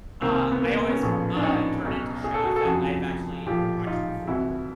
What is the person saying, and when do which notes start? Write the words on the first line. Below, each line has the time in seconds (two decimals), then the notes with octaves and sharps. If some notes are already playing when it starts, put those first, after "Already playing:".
uh, I always, uh, turn it to shows that I've actually watched before.
0.21 C2 C3 D#3 A#3 C4
0.52 B3
0.62 A#3
0.76 A#3
0.89 B3 C#4
1.03 A#1 A2 F3
1.37 D4
1.43 C#4 D#4
1.84 B1 B2
2.24 G#4
2.34 A4
2.44 F#4 G#4
2.56 A4
2.65 F1 F2 C#3 F3 F#4 G#4
3.46 A#1 A2 F3 F4 G4
3.87 D#4 F4
4.27 C2 C3 E3 E4 F#4